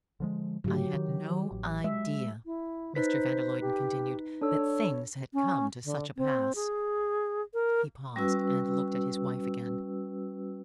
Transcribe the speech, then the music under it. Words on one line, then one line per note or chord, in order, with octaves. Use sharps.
"I had no idea," Mr. van der Luyden continued, "that things had come to such a pass." He paused, and looked at his wife again.
D3 F3 G#3
G#2 C#3 F#3 A3 G4
D#3
A1
G#3 E5
E4
D#4 B4 C5 B6
G4
D4 A4 C#5 E6
C#4
D3
C4
G#4
A#4
G3 C#4 F#4 B4 E6